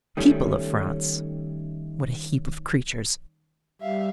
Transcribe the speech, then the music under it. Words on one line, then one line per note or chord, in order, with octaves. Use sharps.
People of France! what a heap of creatures!
D#3 G3 A3 C#4
G3 E5 F5